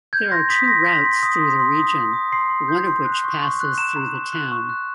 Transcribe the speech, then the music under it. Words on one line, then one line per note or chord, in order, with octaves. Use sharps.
There are two routes through the region, one of which passes through the town.
G6 G#6
C6 A#6
D#6 B6
C6 A#6
C6 B6
C6
D#6
C6
C6
D#6
C6
D#6
C6 C7
C6
G6
C6
F#6
C#6
C#6
F#6
A#5 E7
A#5
A#5
F#6
C#6
F#6